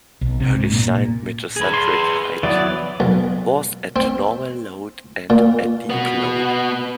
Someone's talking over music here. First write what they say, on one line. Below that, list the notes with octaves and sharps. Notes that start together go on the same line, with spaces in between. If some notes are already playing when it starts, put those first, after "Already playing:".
Her designed metacentric height was at normal load and at deep load.
B1
C3
G#2
A#2
A#2
G#4 B4
C6
E3 F#3 B3 D5
B1
C4
A#2
B3 F#4